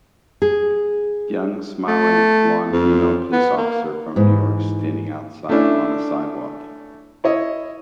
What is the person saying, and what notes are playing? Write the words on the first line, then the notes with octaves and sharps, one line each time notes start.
Young, smiling, blond female police officer from New York standing outside on a sidewalk.
G#4
A3
F2
B3
A#3
G#2 E3
A3 C#4 D4 E4
E4 C#5 D#5